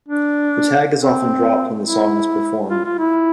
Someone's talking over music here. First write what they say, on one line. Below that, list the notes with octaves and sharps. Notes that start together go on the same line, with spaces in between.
The tag is often dropped when the song is performed.
D4
C4
E4
F4
F4
E4